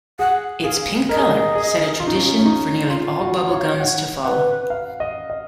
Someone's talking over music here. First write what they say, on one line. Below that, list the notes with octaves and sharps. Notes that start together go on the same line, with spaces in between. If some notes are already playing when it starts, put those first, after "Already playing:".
Its pink color set a tradition for nearly all bubble gums to follow.
G#4 F#5
G#4 F5
A#4 D#5
G#4
A#4
G#4
F4
D#4
C#4
D#4
C#4
D#4
F4
F#4
F#5
C#5 F5
D#5
C#5 F#5
B4 F#5
F5
D#5
D#5